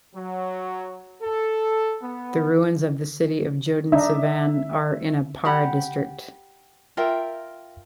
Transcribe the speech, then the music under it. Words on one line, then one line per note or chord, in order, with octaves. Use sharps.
The ruins of the city of Jodensavanne are in Para district.
F#3
A4
B3
D4 D#4 E5
G4 F#5 B5
F4 A#4 E5 G5